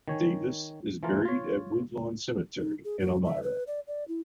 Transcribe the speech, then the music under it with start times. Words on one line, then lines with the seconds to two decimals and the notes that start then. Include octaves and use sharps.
Davis is buried at Woodlawn Cemetery in Elmira.
0.08 D#3 C#5 G#5
1.03 E3 F3 A3 A#3 F4 A#4
1.25 F4 C#5
2.59 D#4
2.84 G#4
3.00 F#4
3.25 E5
3.43 B4
3.67 D5
3.87 D5
4.08 E4